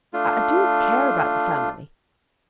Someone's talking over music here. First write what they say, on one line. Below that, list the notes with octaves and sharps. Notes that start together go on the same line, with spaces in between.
I do care about the family.
A3 D4 F4